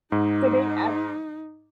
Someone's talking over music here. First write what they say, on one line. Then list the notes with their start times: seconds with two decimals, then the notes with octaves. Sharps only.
sitting at
0.12 G#2 D#4